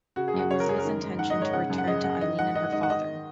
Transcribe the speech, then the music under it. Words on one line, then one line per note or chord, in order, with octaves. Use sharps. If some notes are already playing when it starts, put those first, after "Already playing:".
It was his intention to return to Eileen and her father.
C#3 F#4
G#4
F#2
F#4
C#3 C#5
A#4
F#2 G#4
A#4
D#3
G#2
D#3 F#5
D#5
G#2
C#5
C#3 F#5
F#2
F#5
C#3 D#5
F#2 F#5
D#3 D#5
G#2 F#5
D#3 D#5
G#2 D#5
F#5
D#3 D#5